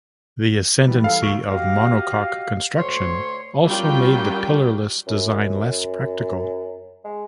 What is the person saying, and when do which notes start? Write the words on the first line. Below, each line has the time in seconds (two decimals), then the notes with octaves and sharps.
The ascendancy of monocoque construction also made the pillarless design less practical.
0.87 E3 G3 B3
1.04 A4 F5
1.22 D2 C#6 D7
1.49 F#4 G4 D#5 F5
2.78 D2 C#5 C6
3.66 F#3 G3 C#4 F4 A#4 G5
5.07 F#2
7.04 G#3